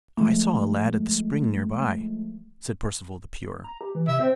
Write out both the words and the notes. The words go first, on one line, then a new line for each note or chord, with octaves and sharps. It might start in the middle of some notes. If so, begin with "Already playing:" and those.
"I saw a lad at the spring near by," said Percival the Pure.
F3 G#3 A3
A#5
G4
E3
C3 E5
C4 C5